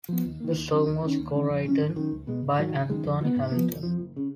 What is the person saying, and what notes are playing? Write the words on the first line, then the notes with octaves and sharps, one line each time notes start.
The song was co-written by Anthony Hamilton.
F3 B3
D#2
D#3 A#3
D#2
C#3 F#3
D#2
D#3 A#3 C#4
D#2
D#3 G#3 C#4
F2
C#3 F#3 C#4
G#1
F#2 D#3
C#2
B2 G#3
G#1
G#2 D#3 F#3
G#1
F#2 D#3 G#3
F2
F3
B3
G#2
F3 B3
F1
F2 F3
F#1
C#3